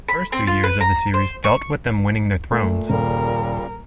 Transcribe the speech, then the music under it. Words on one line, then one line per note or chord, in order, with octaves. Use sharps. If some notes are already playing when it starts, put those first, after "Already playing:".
The first two years of the series dealt with them winning their thrones.
B5
C4
F4
B4
A#5
C5
C#6
A#2 A3
D#1 A#2 C#3 G3 A4 A#4